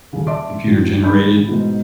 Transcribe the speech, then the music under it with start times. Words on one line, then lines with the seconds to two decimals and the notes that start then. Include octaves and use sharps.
computer generated.
0.13 D#1 C#3
0.27 D5 E5 A5 C6 D6 D7
0.67 A2 G3 F#4
1.03 D5 B5 G6
1.47 G#2 B2